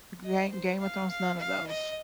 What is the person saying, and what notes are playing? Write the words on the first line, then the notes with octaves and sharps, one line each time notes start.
Gain Game of Thrones, none of those.
D#5
C5
F5
F5
F5
D#5